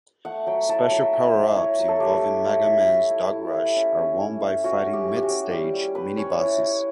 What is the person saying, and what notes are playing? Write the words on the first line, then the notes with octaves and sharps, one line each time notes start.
Special power-ups involving Mega Man's dog Rush are won by fighting mid-stage minibosses.
A3 F#5
F#3 G5
E4 A5
F#3 G5
E4
F#3
E4 C#5
F#3
A4
A3 G4
E4
E4
E4
E4
E4
E4
E4
C#4
C#4
E4
C#4
C#4 F#4
C#4
G4
C#4
G4
F#4
C#4
G3 G4
G3
G3 B4
C#4 C#5
E4 C#5
E4